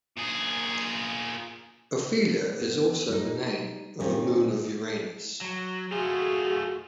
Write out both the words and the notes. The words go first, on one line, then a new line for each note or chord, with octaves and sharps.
Ophelia is also the name of a moon of Uranus.
A#2 G#4
B3
G3 D#4
D#3 G3 C4 C#4 F4
F#3
A3 F4 F#4 G#4